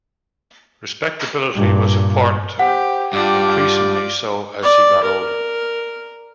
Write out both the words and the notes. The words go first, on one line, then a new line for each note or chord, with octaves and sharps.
Respectability was important to him, increasingly so as he got older.
G2 A#2
G4 C5 F#5
G2 F4 G4 D5
D5
A#4